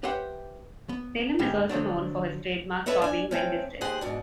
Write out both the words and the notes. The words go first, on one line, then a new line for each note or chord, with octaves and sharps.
Salem is also known for his trademark sobbing when distressed.
G4 B4 C5 E5 F#5 G5
B3
D2 G#2 G3 G#3
D3 F3 F#3 D4
A4 B4 C#5 D#5 E5 F#5
D4 G#5
A3 C4 C#4
D#2 G4 G#4 C5 F#5
G#2 B2 D4